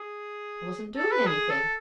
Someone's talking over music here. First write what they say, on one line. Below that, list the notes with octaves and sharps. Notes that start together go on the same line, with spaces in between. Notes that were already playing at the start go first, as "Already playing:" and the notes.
"I wasn't doing anything."
Already playing: G#4
A4
B4
G#4
A4